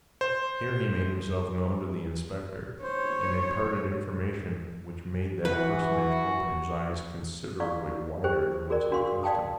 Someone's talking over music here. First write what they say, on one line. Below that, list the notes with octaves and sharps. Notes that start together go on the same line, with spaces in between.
Here he made himself known to the inspector, and imparted information which made that personage open his eyes considerably wider than was his custom.
C5
C5 C#5
E3 F#4 B4
E4 D5 F5 C#6
G4 G#4 C5 G5
F#4 G#4 A#4 D5
D4 F#4 F5 C6 C#6
D5 F5 G5 A5 D#6